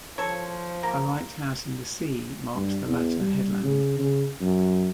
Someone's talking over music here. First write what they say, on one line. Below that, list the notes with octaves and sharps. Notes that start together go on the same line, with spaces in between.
A lighthouse in the sea marks the latter headland.
F3 A4 C#5
A#3
G2
E2
G3
C#3
C#3
F#2